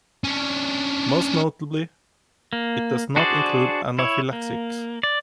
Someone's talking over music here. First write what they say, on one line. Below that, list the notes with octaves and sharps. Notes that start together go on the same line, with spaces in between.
Most notably, it does not include anaphylaxis.
C#4 D4
A#3
D4 F#4 G#4 C5 D5
E4 C#5
A#3
D5